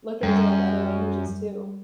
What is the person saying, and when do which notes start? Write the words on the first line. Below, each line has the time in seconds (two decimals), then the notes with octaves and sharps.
look into, like, other languages too.
0.23 F#2 G3